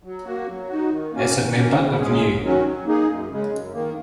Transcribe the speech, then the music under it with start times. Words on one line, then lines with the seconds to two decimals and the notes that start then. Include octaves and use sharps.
As a member of Neu!
0.03 F#3
0.25 A#3 F#4
0.47 F#3
0.69 D#4 F#4
0.90 D#3
1.12 A#3 C#4 F#4
1.33 D#3
1.55 A#3 C#4
1.76 C#3
1.99 G#3 C#4 G#4
2.20 G#2
2.42 D#3 F#3 C#4 F#4
2.63 F#3
2.85 A#3 D#4 G#4
3.07 F#2
3.29 C#3 G#3
3.50 F#2
3.72 D#3 A#3